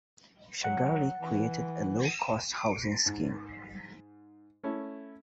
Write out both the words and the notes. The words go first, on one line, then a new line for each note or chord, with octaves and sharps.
Shagari created a low cost housing scheme.
F#3 F#5
E3
G#2
A3 C#4 E4